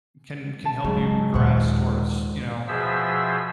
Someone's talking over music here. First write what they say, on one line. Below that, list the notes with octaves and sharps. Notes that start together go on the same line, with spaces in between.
can can help you progress towards, you know,
A5
G#2 C#3 F#3
D#2 A#2 C5 F#5
B2 F3 G#4 C5 E5 E6